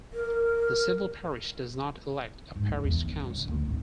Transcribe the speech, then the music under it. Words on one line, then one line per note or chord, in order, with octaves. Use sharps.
The civil parish does not elect a parish council.
A#4
G#2
C#2
E2
G1
C#2
G2
D2
G#1